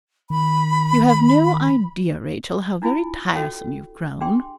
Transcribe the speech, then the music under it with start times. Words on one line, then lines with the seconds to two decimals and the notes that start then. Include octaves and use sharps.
'You have no idea, Rachel, how very tiresome you've grown.'
0.30 D#3 B5
2.82 D4 E4 F4 G#5 B5
3.35 F#4 A4 C#5 G5
4.21 D4 G4 G#4 G5 C6